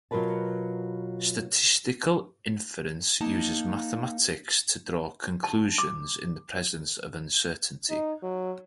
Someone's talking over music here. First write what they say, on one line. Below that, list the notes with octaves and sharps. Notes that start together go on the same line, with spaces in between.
Statistical inference uses mathematics to draw conclusions in the presence of uncertainty.
B2 F#3 F4 A#4 B4 A5
A#3 D#4 A5
A5
D6
D#4
F#3